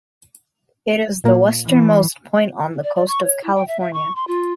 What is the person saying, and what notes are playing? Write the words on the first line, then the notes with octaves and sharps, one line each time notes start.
It is the westernmost point on the coast of California.
A#2 A#3
E3
D5
D5
C#6
C#5
E4
G5
E5
E5
C#6
C6
F4